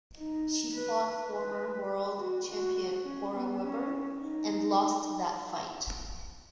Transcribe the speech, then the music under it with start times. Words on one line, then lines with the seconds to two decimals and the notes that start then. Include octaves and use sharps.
She fought former world champion Cora Webber, and lost that fight.
0.16 D#4
0.75 B4
1.32 B4
2.18 F#4
2.47 F#4
3.05 C#4
3.33 B3
3.62 C#4
4.20 D#4